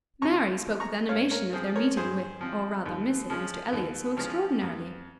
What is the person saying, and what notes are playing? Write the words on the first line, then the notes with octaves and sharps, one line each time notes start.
Mary spoke with animation of their meeting with, or rather missing, Mr Elliot so extraordinarily.
D#2 A#5 C#6
C#3 F3
A#5 C#6
G2 C#5 F5
A#4 C#5
F3 C4 G#4 C5
A#4 C#5
G2 G#4 C5
F3 C4
D#2
C#3 F3 G#3 C#4
D#2
C#3 F3 G#3 C#4
F2